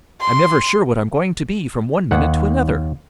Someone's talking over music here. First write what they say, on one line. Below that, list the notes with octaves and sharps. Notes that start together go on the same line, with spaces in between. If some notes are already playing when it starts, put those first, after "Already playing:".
I'm never sure what I'm going to be, from one minute to another!
C6
D#2 F#5